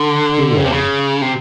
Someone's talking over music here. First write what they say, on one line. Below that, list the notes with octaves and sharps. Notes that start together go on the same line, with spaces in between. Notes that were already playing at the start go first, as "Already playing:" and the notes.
Go on.
Already playing: D3
C#3
C3
C#3
C3